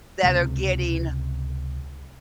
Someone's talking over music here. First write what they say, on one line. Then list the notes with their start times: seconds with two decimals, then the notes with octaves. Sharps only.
that are getting
0.23 C#2 C3 G#3